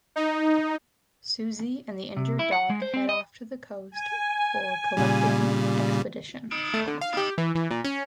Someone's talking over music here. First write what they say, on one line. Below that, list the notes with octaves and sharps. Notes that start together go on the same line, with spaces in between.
Suzy and the injured Doc head off to the coast for the collecting expedition.
D#4
C3
E4
F#5
G#3
C5
C4
D#5
G#5
A#2 C#3 G3
A3
D3
F5
G4
E3
E3
A#2
C#4